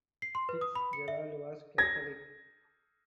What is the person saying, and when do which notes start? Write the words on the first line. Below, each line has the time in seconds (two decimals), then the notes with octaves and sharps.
Fitzgerald was Catholic.
0.22 C7
0.35 C6
0.49 B4
0.61 D#6
0.75 B5
0.93 C#7
1.08 E5
1.78 G#6 A#6